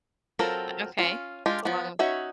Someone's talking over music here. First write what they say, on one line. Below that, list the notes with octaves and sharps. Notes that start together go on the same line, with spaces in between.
Eh okay, that's a long
F#3 C4 F4 A4 A#4
C#4 F4
G#3 D4 F4 G4
F3 B3
C#4 D#4 F#4 C#5 E5